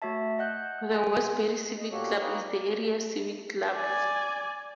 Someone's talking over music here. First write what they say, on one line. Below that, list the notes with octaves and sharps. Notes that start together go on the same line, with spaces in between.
The Westbury Civic Club is the area civic club.
A3 F#4 C#5 E5 A5
D#5 F#5 F#6 G6
G#4 D#5 G#5 C6
D#5
A#2 A#3 F#4 G4 A4 C#5
A#3 D#4 G4 G#4 B4 C#5
D5
D5 G#5